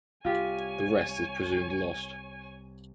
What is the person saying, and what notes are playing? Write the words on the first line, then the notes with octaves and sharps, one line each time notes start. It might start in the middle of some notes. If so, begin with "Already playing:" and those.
The rest is presumed lost.
C2 F4 G4 C#5 G#5